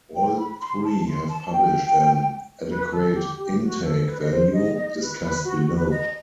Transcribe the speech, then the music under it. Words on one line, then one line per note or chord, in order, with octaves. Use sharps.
All three have published an "Adequate Intake" value, discussed below.
G5
B5
C6
A5
C6
A5
G5
B4
A4
G4
G4
F#4
A4
B4
D#5
C5
D#5
D#5
B4
B4
F#4
F#4
B4
D#5